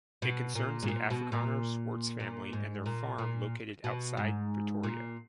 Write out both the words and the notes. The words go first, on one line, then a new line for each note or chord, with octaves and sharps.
It concerns the Afrikaner Swarts family and their farm located outside Pretoria.
B2
A#2
G#2
A#2
B2
A#2
A#2
G#2
A#2
A#2
B2
G#2
A#2